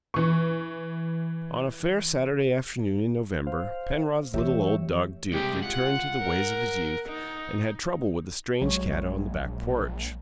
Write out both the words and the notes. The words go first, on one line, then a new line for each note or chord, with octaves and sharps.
On a fair Saturday afternoon in November Penrod's little old dog Duke returned to the ways of his youth and had trouble with a strange cat on the back porch.
E3 C#6
C5 F5
E3 A3 G4 C#5 E5
C2 C3 G#3 G4
F4 F#5
A#4
D#4
A#1 F#3 G#3 C#5